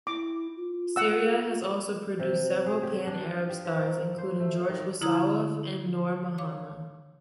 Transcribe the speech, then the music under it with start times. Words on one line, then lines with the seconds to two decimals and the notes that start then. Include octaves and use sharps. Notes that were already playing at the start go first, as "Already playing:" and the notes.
Syria has also produced several pan-Arab stars, including George Wassouf and Nour Mahana.
0.07 E4 D6
0.56 F4
0.96 F#5 E6
2.20 C3
2.66 G#4
2.83 G4
3.07 D4
3.49 G4
3.65 F3
3.78 A#3
4.18 C5
4.40 A3
4.70 D#3
5.01 D3 E4 A#5 D#6 G#6
6.38 C#5 F5 D6